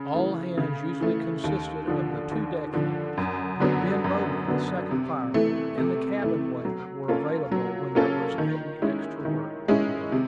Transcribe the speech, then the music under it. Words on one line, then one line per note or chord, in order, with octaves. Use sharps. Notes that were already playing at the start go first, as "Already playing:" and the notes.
All hands usually consisted of the two deck hands; but Ben Bowman, the second fireman, and the cabin-waiter were available when there was any extra work to be done.
Already playing: C#3
E3 A3
C#3
E3 A3
D#2
D3 F3
D#2
D3 F3
F#2
D3 F#3 B3
F#2
D3 F#3 B3
C3
E3 A3
C3
E3 A3
F#3
A#3 C#4 F4 A4
F#3
A#3 C#4 F4 A4
D#3
G#3 C#4 E4
D#3
G#3 C#4 E4
C3